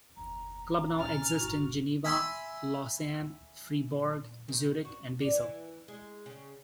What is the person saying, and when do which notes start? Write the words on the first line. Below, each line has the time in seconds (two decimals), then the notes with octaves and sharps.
Clubs now exist in Geneva, Lausanne, Fribourg, Zurich and Basel.
0.17 F#1 D#2 A#5
0.95 D2 D3 C#4 F6 A6
1.40 G1 G2 F#4
2.05 E5 G#5 B5 C6
4.48 D#3
4.85 F#4
5.21 D4
5.35 E3
5.88 G#3
6.26 C#3